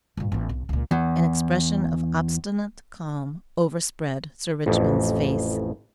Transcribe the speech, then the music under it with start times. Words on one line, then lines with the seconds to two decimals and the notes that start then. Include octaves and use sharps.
An expression of obstinate calm overspread Sir Richmond's face.
0.17 G2 A#2
0.32 A1 B3
0.49 B1
0.69 C#2 A#2
0.91 E2
4.66 A1 F2